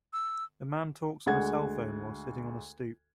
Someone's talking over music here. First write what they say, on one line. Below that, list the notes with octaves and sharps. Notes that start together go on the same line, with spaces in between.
A man talks on a cellphone while sitting on a stoop.
E6
D2 G#3 F#5 G#6